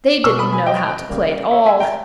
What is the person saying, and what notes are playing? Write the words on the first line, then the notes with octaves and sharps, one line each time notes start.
They didn't know how to play at all.
B2 G#3 B3 C#6 E6
B5 D#6
G#5 B5
D#5 G5
C#3 G3 A#3
C#5 E5
E5 G#5
G5 A#5